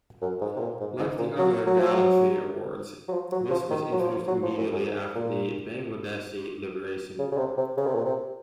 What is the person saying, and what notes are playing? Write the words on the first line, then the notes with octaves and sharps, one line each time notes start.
Like the other gallantry awards, this was introduced immediately after the Bangladeshi Liberation War.
F#2
G#2
C3
A#2
G#2
G#2
A#2
F#3
F#3
F3
F#3
F#3
F3
F#3
F3
D#3
F#3
F3
F#3
F3
F#2
F#2
G#2
A#2
C#3
C#3
C3
C3
C#3
C3
A#2
C3